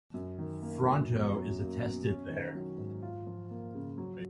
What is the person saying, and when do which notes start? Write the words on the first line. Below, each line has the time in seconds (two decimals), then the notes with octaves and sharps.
Fronto is attested there.
0.14 F#2
0.38 D#3
0.62 A#3
0.86 F#2
1.10 B2
1.34 F#3
1.58 A#3
1.82 B2
2.07 C#4
2.30 D#3
2.55 F#3
2.78 G#2
3.02 F4
3.27 F3
3.50 A#3
3.75 C#3
3.98 F#3